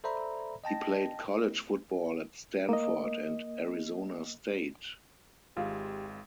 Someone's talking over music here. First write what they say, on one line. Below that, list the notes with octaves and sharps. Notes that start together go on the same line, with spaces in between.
He played college football at Stanford and Arizona State.
A4 C5 D5 E5 A#5 B5
D#5 G5 A5 A#6
A#3 D#5
G#1 G#3 F4 G4